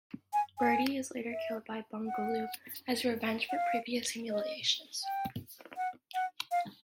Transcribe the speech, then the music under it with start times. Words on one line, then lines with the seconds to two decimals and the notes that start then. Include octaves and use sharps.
Birdie is later killed by Bugaloo as revenge for previous humiliations.
0.33 G#5
0.58 G#5
1.32 E5
2.07 F#5
3.49 F#5
3.55 F5
4.30 D#5
5.04 G5
5.77 F#5
6.14 F#5
6.51 F5